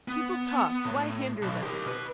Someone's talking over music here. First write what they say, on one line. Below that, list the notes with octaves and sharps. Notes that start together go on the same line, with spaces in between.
People talk, why hinder them?
B3
A2
B1
G4 A#4
B2 B4